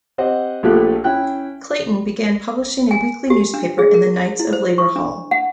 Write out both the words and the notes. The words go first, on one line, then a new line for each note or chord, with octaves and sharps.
Clayton began publishing a weekly newspaper in the Knights of Labor Hall.
C4 G4 C5 D#5 F#5
A#1 A#2 F3 A3 G4 F#6
C#4 E4 G5 F#6
G#5
G4
D4
G#4
A#4
E4
C5
C#6
D4
F#5